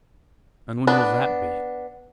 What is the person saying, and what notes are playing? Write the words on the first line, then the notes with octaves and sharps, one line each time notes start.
"And when will that be?"
B3 D4